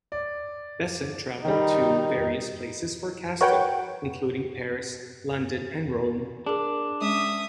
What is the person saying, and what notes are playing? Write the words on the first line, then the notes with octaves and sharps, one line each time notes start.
Besson traveled to various places for casting, including Paris, London and Rome.
D5
D#3 G3 D#4
F#4 A#4 B4 C#5 F#5 G5
D4 G#4 A#4
G#3 C#4 E5 D#6